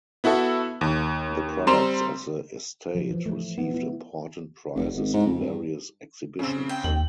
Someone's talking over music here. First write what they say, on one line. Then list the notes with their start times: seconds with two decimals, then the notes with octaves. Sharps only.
The products of the estate received important prizes in various exhibitions.
0.24 B3 E4 F#4 A4 E5
0.81 D#2
1.67 G3 C4 A#5 C6 E7
2.95 F3
3.11 E3
3.26 A3
3.58 B3
3.74 E4
4.75 F1
4.93 G#1
5.13 G#2
5.26 F2
5.40 G2
6.39 C#3 C4
6.69 G5
6.84 D#2 F#7